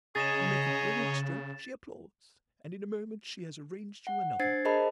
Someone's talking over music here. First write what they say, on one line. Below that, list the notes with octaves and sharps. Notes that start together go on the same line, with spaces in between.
You make a brilliant stroke; she applauds, and in a moment she has arranged you another.
C#3 G#4 C#5 D#5 A#5 A6 E7
F#5
D4 C5 G#6 A6 C7
G#4 A#4 C5 D#5 A5 B5